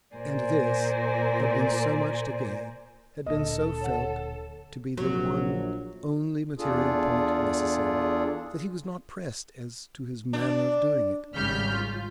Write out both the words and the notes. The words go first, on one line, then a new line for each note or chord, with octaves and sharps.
And this had been so much to gain, had been so felt to be the one only material point necessary, that he was not pressed as to his manner of doing it.
A#2 A#4 C5 D5 G#5
D1 A#2 D3 A4 D#5
C#5 F#5
A#1 F#3
E2 D4 F4 G#4 A4
D4
G#1 C#3 G3 F6 G6 B6
F4